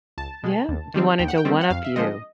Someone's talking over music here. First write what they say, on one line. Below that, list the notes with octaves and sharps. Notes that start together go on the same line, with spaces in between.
Yeah. He wanted to one up you.
C#2 A5
B2 G#3
D#2
D#3 G3 C4
D#2 G5
F#5
G5
D#3 G3 C4
F#5
F2 F5
E5
D3 F3 G#3 C4 D#5